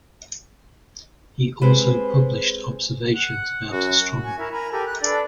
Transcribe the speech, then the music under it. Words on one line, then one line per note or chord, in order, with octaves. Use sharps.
He also published observations about astronomy.
G#3 C4 G4 B4 C5
F#5
F#2 F#4
G#5 C#6
E4 A#4 E5
A#4 G#5 A#5 B5
G4 A4 A#4 G#5
F#6
D4 A4 B4 D5